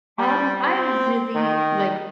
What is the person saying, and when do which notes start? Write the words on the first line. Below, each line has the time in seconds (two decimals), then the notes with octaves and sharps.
Um, I really, like
0.19 G3
0.66 C4
1.35 D#3